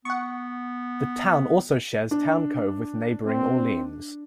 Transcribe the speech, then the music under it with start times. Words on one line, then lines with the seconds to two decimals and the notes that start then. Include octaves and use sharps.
The town also shares Town Cove with neighboring Orleans.
0.05 B3 F#5 C#6
2.11 D4
3.26 C4